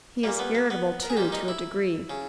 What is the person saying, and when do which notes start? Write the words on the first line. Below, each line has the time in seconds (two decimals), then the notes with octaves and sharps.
He is irritable, too, to a degree.
0.23 A#2 G3 A#3
0.39 B3
0.55 A#3
0.70 B3
1.03 A#4
1.10 G#4
1.17 A#2 G3 G4
1.32 D#4
1.48 E4
2.10 C#3